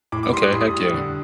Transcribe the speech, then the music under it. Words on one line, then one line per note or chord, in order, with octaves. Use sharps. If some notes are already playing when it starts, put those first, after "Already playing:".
Okay, heck yeah.
A2 D6
D6
G3 C6
D#6
A2
D#6
G3
D3